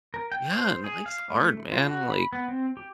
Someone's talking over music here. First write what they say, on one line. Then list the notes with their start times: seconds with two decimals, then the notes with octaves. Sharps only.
Yeah, and life's hard, man, like,
0.14 A#4
0.32 G5
0.51 C5
0.84 G#4
1.06 F5
1.30 A3
1.72 F4
1.88 F#4
2.11 B5
2.33 B3
2.48 C4
2.77 G4